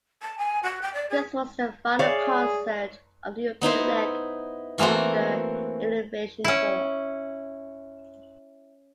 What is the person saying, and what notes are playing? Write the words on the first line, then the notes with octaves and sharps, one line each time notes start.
This was the final concert of the European leg of the Elevation Tour.
A5
G#5
F#4
G5
D5
G#4
G#4 C#5 D5 E5 F5
B3 D#4 E4 C5
E3 A3 A#3 C4 F#4
C#4 E4